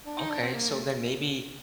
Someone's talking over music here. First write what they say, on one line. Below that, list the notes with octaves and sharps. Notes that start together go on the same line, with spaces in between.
Okay so, then maybe
D4
D#4
D4
C4
A#3
A3